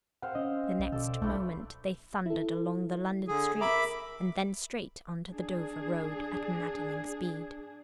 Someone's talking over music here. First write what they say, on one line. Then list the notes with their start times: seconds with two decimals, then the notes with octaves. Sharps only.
The next moment they thundered along the London streets, and then straight on to the Dover road at maddening speed.
0.22 C4 C5 F5 F#5
0.35 C#4 D#5
0.80 B1
0.92 B2 A4 D5
1.22 B1 A3 D4 E4
2.26 E4 A4
3.28 D3 G#4
3.61 A#4 E5 A#5 B5 D6
5.30 D4 G#4